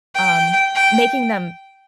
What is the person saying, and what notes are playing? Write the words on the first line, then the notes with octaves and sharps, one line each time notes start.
um, making them
G5
G5